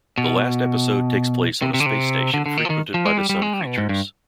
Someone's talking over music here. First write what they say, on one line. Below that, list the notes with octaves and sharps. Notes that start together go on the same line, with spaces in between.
The last episode takes place on a space station frequented by the Sun creatures.
B2
C3
C3
D3
C3
D3
D3
D#3
F3
D#3
F3
G#3
G3
G3
G#3
G3
B2
G#2
G2